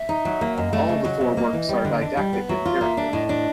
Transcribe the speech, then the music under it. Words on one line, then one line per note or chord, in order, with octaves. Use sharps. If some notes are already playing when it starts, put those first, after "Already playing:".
All the four works are didactic in character.
Already playing: E5
D#4
F#3
A#3
F#2 D#5
A3
C#3
F#3
C3
A#3
E3
G3
D3
D4
G3
B3
F#3 E5
F4
F5
A#3 E5
D4
A2 D#5
D4